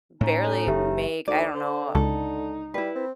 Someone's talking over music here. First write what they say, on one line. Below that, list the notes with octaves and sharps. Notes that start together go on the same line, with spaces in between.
barely make, I don't know,
A2 A3 C#4 D#4
A4 C#5
F#1 G4 E5
D2 D#4 D5
D3 C5
C#2 D#4 A4
G3 E4 B4
C4